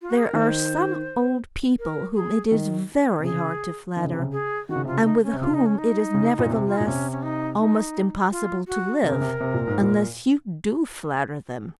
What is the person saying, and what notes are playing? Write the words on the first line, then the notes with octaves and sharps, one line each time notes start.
There are some old people whom it is very hard to flatter, and with whom it is, nevertheless, almost impossible to live unless you do flatter them.
F4
F#4
G#4
A#4
D#3 C5
A#4
G#4
D#3
C3
C#3 G#4
D#3
C#3
C3
C#3
G#4
D#3 F#4
C#3
C3
F4
C#3
F4
D#4
C#4
C3
C#3 F4
D#4
C#4
D#4
C#3
A#2
C3
F4
A#2 D#4
C3 C#4
C#4
D#4
D#4
F4
F#4
C3 A#4
C#3
C3
C3
A#2
G#2
A#2